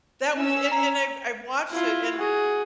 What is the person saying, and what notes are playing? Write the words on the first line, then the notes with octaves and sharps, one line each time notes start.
That was and and I've I've watched it, and
C#4 E6
A#5
E4 F4
F#4 G#4